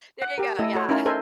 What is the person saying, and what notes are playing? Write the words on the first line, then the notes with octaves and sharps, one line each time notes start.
There you go, yeah.
F#5
G4 A#4
A3 E4 A4 D#5
F#4 A4 C#5
C#4 D#4 E4 A#4
A4 A#4 C5 D#5 E5 G#5